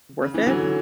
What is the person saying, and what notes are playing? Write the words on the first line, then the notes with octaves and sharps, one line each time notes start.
worth it?
C#3
C#3 E3
D3 F#3